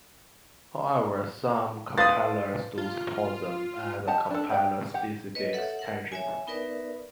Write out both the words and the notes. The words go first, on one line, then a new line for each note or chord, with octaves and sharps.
However, some compilers do support them, as a compiler specific extension.
B4 C5 F5 D#6 A6
F4
G4 D#5 F#5 A5
D4 A4
G4 G#4 D5 G5
G4 F#5
B4 C#5 D#5
A4 C#5 E5 F#5
A#4 F#5
C#5 E5 G#5
B3 D#4 A#4 B4 D5 E5